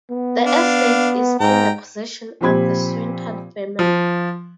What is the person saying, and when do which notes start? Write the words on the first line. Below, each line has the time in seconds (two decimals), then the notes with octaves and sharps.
The estate is in the possession of the Swinton Family.
0.11 B3
0.46 D4 F5
1.40 G#2 G5 A#5
2.41 A#2 F3 C4 G4 B5 G#6
3.79 F3